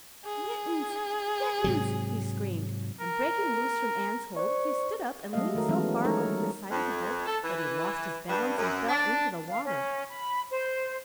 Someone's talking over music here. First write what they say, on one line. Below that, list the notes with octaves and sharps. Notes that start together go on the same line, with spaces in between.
"Mittens! Mittens!" he screamed, and breaking loose from Ann's hold, he stood up and leaned so far over the side of the boat that he lost his balance and fell into the water.
G#4
G#2 C3 F#3
A#4
C5 D5 C#6
F#3 G#3 A3 A4 D#5 F5
D#3 A3 F#4 A#4
E3 F#3 G#3 B3 C#4
G#3 A3 D#4 A4 A#4 C#5
G3
F2
A4
E3
G2
F#2
D4
F5
C#4
B5
C5